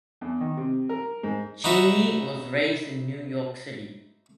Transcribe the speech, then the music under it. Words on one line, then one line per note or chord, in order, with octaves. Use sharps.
Cheney was raised in New York City.
E2
D#3
C3
A#4
G#2
D#4 F#4 B4 E5